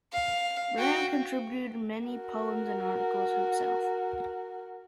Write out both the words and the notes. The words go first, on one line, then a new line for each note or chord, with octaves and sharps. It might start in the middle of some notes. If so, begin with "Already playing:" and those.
Brand contributed many poems and articles himself.
F5
F#4 G5
F#4 A#4